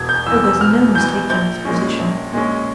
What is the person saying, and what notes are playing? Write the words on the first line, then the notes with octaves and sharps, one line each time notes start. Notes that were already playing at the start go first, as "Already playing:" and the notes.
Oh, there's no mistaking his position.
Already playing: E1 G#6
G6
E2 E3 E6
E6
E1 F6
E2 E3 G6
A#1 G6
A#2 G#3 C#4
A#1
A#2 G#3 C#4